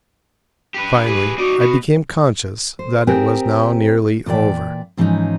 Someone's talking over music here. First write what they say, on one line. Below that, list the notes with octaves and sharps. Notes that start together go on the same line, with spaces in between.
Finally I became conscious that it was now nearly over.
G4 B4
G4 G#4 B4
D#4 F#4 D5
B2 B3
C5
C4 G4 G#4 A#4
A#2 E3 A4 D5 G5
G#2 E3 F3 G3 C#4 D#4